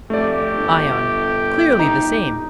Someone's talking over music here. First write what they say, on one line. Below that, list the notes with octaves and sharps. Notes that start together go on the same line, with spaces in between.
ION: Clearly the same.
F1 A3 G4 D5
G1
D#4